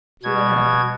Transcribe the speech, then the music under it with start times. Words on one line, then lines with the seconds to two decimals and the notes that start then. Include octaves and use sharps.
She went out.
0.23 B2 G#6